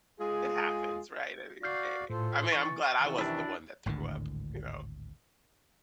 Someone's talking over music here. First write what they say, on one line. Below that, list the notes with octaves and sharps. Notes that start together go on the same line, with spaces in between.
It happens, right? I mean, a I mean, I'm glad I wasn't the one that threw up, you know?
G#3 F4 G#4
F#4 D5 F5 F6 G6 C7
A2 F4 A4 C5
E3 C#6 A6
C3 D#3 E3
D4 E4
G#1 D2 A2 D3